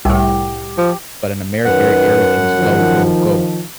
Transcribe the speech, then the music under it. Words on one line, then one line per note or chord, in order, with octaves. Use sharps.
But in America, er everything is a go, go, go.
C2 A2 G4 G5
F3
F#2 D#3 B4 F#5
D#3 F3